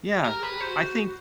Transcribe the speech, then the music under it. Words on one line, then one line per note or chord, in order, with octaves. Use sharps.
Yeah. I think
G4 A#4
G#4
B4
G4
F#4 C5